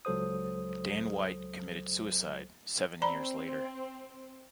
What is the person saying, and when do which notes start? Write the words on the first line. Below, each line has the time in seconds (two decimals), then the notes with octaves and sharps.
Dan White committed suicide seven years later.
0.05 C#2 F#3 A4 C5 D#6
3.02 C4 D5 A#5 B5